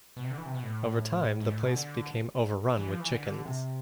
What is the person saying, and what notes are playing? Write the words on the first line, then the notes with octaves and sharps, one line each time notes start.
Over time the place became overrun with chickens.
B2
C3
D3
E3
C3
B2
A2
G#2
A2
B2
D3
E3
F3
E3
D3
C3